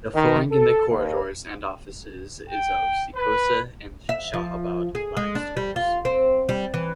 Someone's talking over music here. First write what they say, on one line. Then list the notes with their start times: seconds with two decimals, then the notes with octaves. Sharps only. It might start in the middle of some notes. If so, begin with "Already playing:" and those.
The flooring in the corridors and offices is of Sikosa and Shahabad flag stones.
0.14 D#3
0.51 A4
0.89 D#2
2.50 G5
3.15 B4
4.09 E5
4.34 F3
4.95 G#4
5.17 G#3
5.35 D4
5.57 G3
5.76 F4
6.05 C4
6.49 G3
6.74 E3